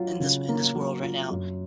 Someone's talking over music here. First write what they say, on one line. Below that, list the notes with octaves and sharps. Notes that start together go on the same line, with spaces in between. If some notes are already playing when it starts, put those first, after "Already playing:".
in this in this world, right now.
Already playing: F#3 F4
C#3
A#3
F#3
F4
F#2